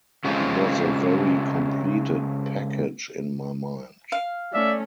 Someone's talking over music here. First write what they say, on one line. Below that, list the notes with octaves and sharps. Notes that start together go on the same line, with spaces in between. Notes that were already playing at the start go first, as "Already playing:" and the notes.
It was a very completed package in my mind.
C#3 G#3 A3 C4 F4
F5
A3 C#4 D5 E5